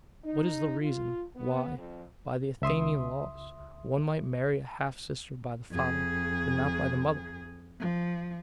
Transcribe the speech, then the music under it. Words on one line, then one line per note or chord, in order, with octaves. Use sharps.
What is the reason, why, by the Athenian laws, one might marry a half-sister by the father, but not by the mother?
D#4
F4
B3
F2
C#2 E5 C6 D#6
F2 G#4
F3